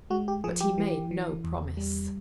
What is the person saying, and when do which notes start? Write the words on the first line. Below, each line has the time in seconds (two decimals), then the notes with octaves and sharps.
But he made no promise.
0.10 G#3 F#4
0.28 G4
0.44 F3 G#4
0.61 G4
0.78 E3
1.11 E3
1.44 E2
1.77 G3